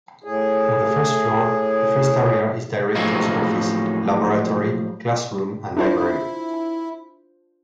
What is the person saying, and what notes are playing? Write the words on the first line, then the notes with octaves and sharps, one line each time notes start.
On the first floor, the first area is director’s office, laboratory, classroom and library.
A2 G#4
A2 F3 F#3 G#3 A#3 D#4
D4 E4 F4 C5